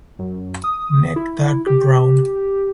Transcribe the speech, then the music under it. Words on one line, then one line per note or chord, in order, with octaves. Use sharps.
Neck dark brown.
F#2
D#6
E4
G4